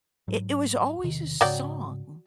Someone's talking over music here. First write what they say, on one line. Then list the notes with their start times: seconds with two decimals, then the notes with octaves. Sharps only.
it it was always a song
0.28 G#2 F#3
1.04 E1 C3 D#3
1.41 G#2 C#3 F#3 D5 G5